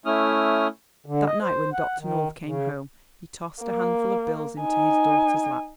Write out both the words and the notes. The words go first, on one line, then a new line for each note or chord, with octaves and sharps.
That night when Dr. North came home he tossed a handful of bills into his daughter's lap.
A3 C#4 E4 D#6 F6
D3
D#5
C5
F#5
D#3
C#3
A#3
D#4 G#5